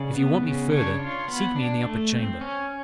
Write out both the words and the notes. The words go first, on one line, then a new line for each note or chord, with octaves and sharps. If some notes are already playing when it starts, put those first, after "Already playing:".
"If you want me further, seek me in the upper chamber."
Already playing: C#3 D5
B3
C#3
D4 C#5
F4
B3
D4
A3
C4
C#4